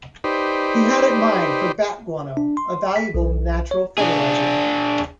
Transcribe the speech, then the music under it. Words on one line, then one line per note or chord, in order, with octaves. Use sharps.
He had it mined for bat guano, a valuable natural fertilizer.
D#4 G4 B4 C5 D5
D4
C6
B6
B1
C#5
D4 G#4